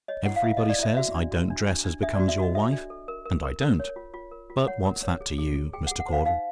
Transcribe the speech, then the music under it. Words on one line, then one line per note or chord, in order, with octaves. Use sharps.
Everybody says I don't dress as becomes your wife-- and I don't; but what's that to you, Mr. Caudle?
C#5 D#5
E4 F#5
F5
E4 E5
A4 D#5
D5
E4 E5
F#4 E5
D4
F#4
D4
D4
D4
D4 E5
D5
F#4
E5
F#4 D#5
A4 E5
D4
A4
A#4
A#4
A#4
A#4
C#5
F4
F4
A#4
F4
C#5 F#5
A#4
C#5
G#4
G#4
G#4
G#4 G5
F#5
G#4
F#5
C5 F5
D#4 F5